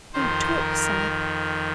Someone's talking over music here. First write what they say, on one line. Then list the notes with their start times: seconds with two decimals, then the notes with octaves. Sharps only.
Don't talk so.'
0.13 F2 D#3 C5
0.59 A#4